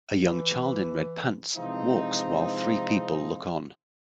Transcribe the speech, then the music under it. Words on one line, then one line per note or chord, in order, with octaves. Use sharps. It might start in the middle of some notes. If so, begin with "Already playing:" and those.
A young child in red pants walks while three people look on.
E3
C3 E3 F3 G#3 C4 D#4